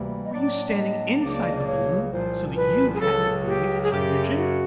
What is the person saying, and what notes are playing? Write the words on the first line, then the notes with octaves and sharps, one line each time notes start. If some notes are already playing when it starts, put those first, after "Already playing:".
"Were you standing inside the balloon so that you had to breathe hydrogen?"
Already playing: D2 C3 E3 G3 A#3
D#5
A2 F#3 A#3 D4 D5
D5
D#5
C#2 C#3 F#3 A#3 D4 D5
D#5
D5
C#5
C2 A#2 F3 C5
B4
G#4
C#2 C#3 F#3 A4
G4
G#4
F#2 C#3 F#3 G4
F#4